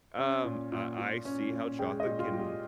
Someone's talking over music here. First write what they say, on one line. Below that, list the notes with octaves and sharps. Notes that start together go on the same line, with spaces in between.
um, I I see how chocolate can
C#4
A#2
A#2
A#2
C#4
A#2
G#3 G5
D#5
A#2
F4
A#2
G4